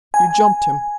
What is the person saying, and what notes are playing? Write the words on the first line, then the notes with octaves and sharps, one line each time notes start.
You jumped him.
G#5